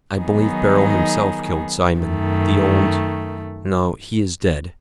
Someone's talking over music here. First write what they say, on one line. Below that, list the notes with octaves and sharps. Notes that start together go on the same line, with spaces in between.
I believe Beryl himself killed Simon--the old--no, he is dead.
D#3 F#3 B3 D#4 G#4
F#2 D#3 A3